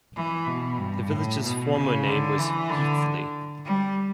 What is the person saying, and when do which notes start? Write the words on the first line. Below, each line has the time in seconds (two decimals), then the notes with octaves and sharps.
The village's former name was Wheatley.
0.16 E3
0.47 B2
0.78 G2
1.10 A2
1.43 B2
1.74 C#3
2.06 D3
2.38 E3
2.70 D3
3.65 G3